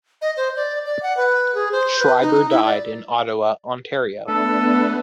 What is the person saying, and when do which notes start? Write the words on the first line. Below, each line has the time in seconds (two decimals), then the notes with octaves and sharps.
Schreiber died in Ottawa, Ontario.
0.22 D#5
0.37 C5
0.56 D5
0.86 D5
1.03 F#5
1.17 B4
1.55 G#4
1.72 C5
1.99 B4
2.21 D#4
2.49 E4
2.66 D5
4.28 A3 B3 D4 A4 B4